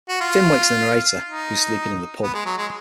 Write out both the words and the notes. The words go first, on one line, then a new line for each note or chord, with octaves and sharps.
Finn wakes the narrator, who was sleeping in the pub.
F#4
F4
D#4
B3
G#3
F#3
G#3